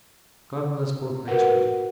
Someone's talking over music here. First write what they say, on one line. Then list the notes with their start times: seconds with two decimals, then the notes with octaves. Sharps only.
God bless both my children!
1.28 F#4 A#4 B4 F#5